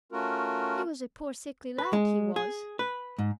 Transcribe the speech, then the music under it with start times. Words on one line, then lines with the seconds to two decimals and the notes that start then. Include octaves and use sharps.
He was a poor sickly lad, he was!
0.12 A3 C#4 F4 F#4 A#4
1.78 B4
1.93 G#3
2.36 G#4
2.79 B4
3.18 G#2